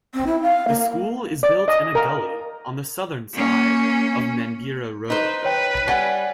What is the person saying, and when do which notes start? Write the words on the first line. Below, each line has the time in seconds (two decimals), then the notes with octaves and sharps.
The school is built in a gully on the southern side of Mangere Road.
0.14 C4
0.26 E4
0.42 F5
0.68 A#3
1.43 D5
1.68 D#5
1.95 A#4
3.33 A#3 C#4
5.10 D#4 B4 C5
5.44 B4 C#5 G5
5.88 G3 F#5 G#5